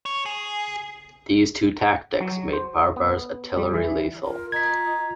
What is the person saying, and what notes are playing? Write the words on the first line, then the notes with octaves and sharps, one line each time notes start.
These two tactics made Babur's artillery lethal.
C#5
G#4
F#3
C5
B3
G3
E3
F4 A#4
D#5 A#5 G#6 B6